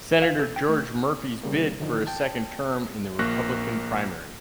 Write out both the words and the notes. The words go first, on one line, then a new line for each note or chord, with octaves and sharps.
Senator George Murphy's bid for a second term in the Republican primary.
F5
A4
G5
A3
C#3 G3 A#3
D3 D#3 F3 D#4
G5 A5
A#1 A#3 C#6 F#6 A#6